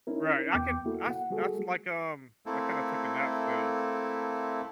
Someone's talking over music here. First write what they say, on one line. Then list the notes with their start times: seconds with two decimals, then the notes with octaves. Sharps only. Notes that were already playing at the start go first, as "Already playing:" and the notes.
Right, I can I s I s like, um I kinda took a nap today,
0.07 C#4 D#4 E4 A#4
0.50 E2 B3 G5 D6 G6
0.85 A#3 E4 F#4 A4
1.11 F#5
1.30 G3 A#3 F#4 G#4 A4
2.46 A3 A#3 C4 E4 A4